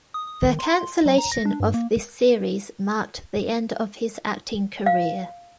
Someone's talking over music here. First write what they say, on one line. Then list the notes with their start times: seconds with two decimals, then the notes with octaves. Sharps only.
The cancellation of this series marked the end of his acting career.
0.14 D#6
0.27 D#6
0.45 D#3
0.59 C6
1.06 F#3
1.18 A#5
1.32 A#6
1.45 D4
1.60 G2
1.74 A#3
4.86 F5